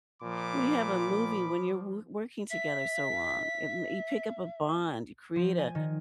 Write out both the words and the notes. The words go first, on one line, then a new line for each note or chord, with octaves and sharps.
when you have a movie, when you're w working together so long. It mm, you pick up a bond, you create a
A#2 F3 B5 D6
E5 B6
F3
G#5
D#3